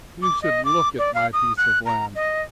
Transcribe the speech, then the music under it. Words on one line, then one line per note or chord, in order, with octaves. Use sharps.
You should look at my piece of land.
D6
D#5
D6
D5
F5
D#6
F#6
A#5
D#5